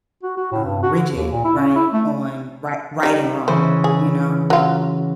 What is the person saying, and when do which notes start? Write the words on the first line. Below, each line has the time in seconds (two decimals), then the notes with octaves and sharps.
um, rigid, right? On, rig right and wrong, you know?
0.23 F#4
0.37 F#4
0.52 A2
0.65 G2
0.83 F#4
0.94 D3
1.15 D#2
1.32 A#2
1.45 E4
1.57 C#4
1.76 E4
1.93 A3
3.03 G3 D#4
3.48 C#3 E3 C5
3.84 G#4
4.50 F#3 F4